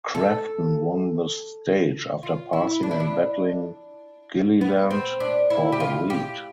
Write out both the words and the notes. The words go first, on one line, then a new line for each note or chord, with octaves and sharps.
Crafton won the stage after passing and battling Gilliland for the lead.
A4
F4
E4
D4
E4
D4
B3
C4
D4
E4
G4
F4
G4